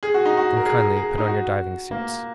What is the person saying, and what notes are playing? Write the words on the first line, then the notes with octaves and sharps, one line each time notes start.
"Then kindly put on your diving suits."
G#4
F#4
D#4
F#4
A#4
G#4
G#4
D#4
F#4
A#3